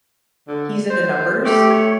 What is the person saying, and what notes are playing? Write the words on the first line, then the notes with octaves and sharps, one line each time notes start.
he's into numbers,
D3
C5
A3 G4
C#5